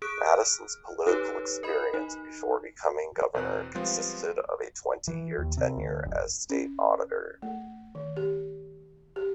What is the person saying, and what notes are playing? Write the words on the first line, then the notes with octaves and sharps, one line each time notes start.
Madison's political experience before becoming governor consisted of a twenty-year tenure as state auditor.
G#4 D#6 F#6 D7
F6
D#4 G4 A4 B4 C#5
A#4 D#5 B5
D#4
E2 B2 C4 F#6
F3 G3 G#3 B3 C4 F4
E3
D#2
C3
D2
F#1
C#4
A3
D#3
G4
G4